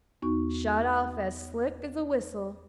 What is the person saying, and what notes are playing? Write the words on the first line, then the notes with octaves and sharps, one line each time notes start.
Shot off as slick as a whistle.
E2 B3 D#4 F#4 C#6